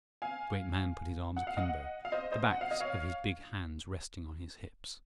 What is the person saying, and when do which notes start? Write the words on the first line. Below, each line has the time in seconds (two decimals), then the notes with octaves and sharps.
The great man put his arms akimbo, the backs of his big hands resting on his hips.
0.22 F5 G#5
1.37 F#5
1.47 F5
1.57 D#5 F#5
2.05 F5
2.12 C5 D#5
2.32 C5 D#5
2.51 F#5
2.61 F5
2.71 D#5
2.80 C#5 F5